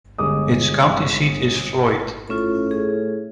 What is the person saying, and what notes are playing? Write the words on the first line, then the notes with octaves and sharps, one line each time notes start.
Its county seat is Floyd.
G1 G#3 D6 D#6
A2 C#4 F4
G#4